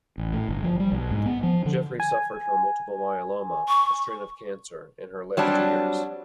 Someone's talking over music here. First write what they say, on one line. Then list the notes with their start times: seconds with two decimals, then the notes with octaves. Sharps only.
Jeffries suffered from multiple myeloma, a strain of cancer, in her last years.
0.18 A1
0.33 A2
0.49 G1
0.63 F3
0.80 G3
0.92 B1
1.11 G#2
1.26 B3
1.43 F3
1.65 D3
2.00 G#5
3.68 C#6
5.37 F#3 G3 C4 D4